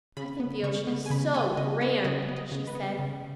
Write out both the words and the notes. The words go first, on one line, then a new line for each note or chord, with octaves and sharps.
"I think the ocean is so grand," she said.
C#3 B5
B3
C#3 C#6
B3
G#5
C#3 B5
B3 G#5
C#3 D#5
B3 F#5
C#3 D#5
B3
D#5
C#3
B4
B3
C#3